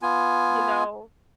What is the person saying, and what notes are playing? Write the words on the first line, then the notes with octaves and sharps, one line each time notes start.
you know?
B3 F4 G#5